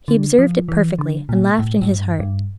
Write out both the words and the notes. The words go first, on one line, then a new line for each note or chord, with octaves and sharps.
He observed it perfectly, and laughed in his heart.
D3
F3
E3
D3
A#2
A2
A2
G2
G2